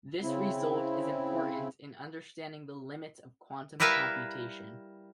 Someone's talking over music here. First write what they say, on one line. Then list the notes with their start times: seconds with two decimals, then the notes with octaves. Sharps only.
This result is important in understanding the limits of quantum computation.
0.22 C#3 C4 E4
3.80 G3 E4 A#4 B4 E5 F5